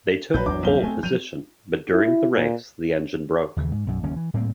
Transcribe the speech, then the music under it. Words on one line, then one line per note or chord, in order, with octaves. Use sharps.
They took pole position, but during the race, the engine broke.
A#1 F#3 B4 G6
G#1 E2 F#3 D4 D6
B1 G7
A3 C4 G#5
F3 F#3 G6 D#7 F7
E4
A#2
D#2 C#3 E3
G#2
B1 F#2
F#1 D#2 C#4
E3
A2 G3 A#3 C4